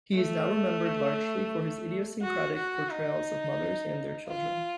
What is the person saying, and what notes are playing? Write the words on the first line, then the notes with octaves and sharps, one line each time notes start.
He is now remembered largely for his idiosyncratic portrayals of mothers and their children.
A3
F#4
F#4
D#4
F4